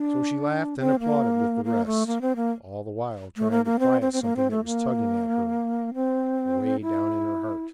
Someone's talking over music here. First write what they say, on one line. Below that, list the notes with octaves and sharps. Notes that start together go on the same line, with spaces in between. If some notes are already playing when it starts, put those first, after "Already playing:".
So she laughed and applauded with the rest, all the while trying to quiet something that was tugging at her away down in her heart.
Already playing: D4
C4
A#3
A#3
A3
A#3
C4
A#3
A3
A#3
A#3
C4
C4
C4
A#3
C4
A3
A#3
C4
E4